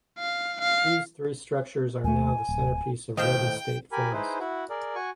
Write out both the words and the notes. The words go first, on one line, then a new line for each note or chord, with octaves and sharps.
These three structures are now the centerpiece of Redden State Forest.
F5
F5
D#2 A3 G#5
D1
D#2 A2 C5 D#5 F5 G5 G6
G4 A#4 G#5 B5
D#4 E4 G#4 B4 C5
E4 F#4
G#4 A#4 D5
F#4 G#5 C#6